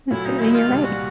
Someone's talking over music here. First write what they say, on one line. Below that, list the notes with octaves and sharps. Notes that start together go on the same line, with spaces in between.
that's it, and you're right.
A#2 F#3 A3 E4
D#4
D#2 D#3 G#3 E4
F4
C2 A#2 G3
F#4